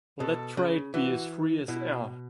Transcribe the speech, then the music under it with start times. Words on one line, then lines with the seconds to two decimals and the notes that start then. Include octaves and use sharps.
Let trade be as free as air.
0.20 B2 A4
0.57 C#3
0.94 E3 F#4
1.68 B2 E4